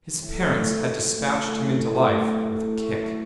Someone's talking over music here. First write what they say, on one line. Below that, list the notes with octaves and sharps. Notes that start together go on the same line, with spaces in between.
His parents had despatched him into life with a kick.
A2
A2
A3
F#3
A2
A2
A3
F#3
A2
A2
A3
F#3
A2
A2
A3
F#3